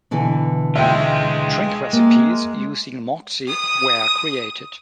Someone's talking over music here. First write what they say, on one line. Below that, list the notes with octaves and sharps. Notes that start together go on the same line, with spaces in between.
Drink recipes using Moxie were created.
B2 D3 E3
G#3 F4 E5 G5
A#3
D#6